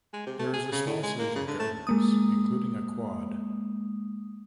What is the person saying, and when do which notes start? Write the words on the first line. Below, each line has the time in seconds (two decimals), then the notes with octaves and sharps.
There is a small series of gardens, including a "quad".
0.13 G#3
0.27 C3
0.39 A3
0.54 G#4
0.72 C#3
0.87 A2
1.03 G#3
1.19 A#3
1.35 C#3
1.47 D3
1.60 A3
1.87 G#3 A#3 D#6